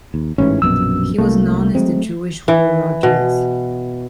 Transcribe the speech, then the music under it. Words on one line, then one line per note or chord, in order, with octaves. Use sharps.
He was known as "the Jewish Will Rogers".
D#2
A1 G#2 E3 C#4
A#1 F#2 B2 E6
C2 A3 A#3
F#3 G#3 C4
E3
B2